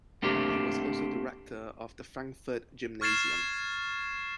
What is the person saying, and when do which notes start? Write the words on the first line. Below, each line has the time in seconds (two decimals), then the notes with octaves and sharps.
He was also the rector of the Frankfurt Gymnasium.
0.22 A3 A#3 C4 D4 G4
3.01 C#6 F6 G#6 A6 C7 E7